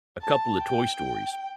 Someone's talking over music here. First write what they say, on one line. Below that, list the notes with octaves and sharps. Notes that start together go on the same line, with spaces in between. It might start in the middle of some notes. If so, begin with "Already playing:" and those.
a couple of Toy Stories
A5
G5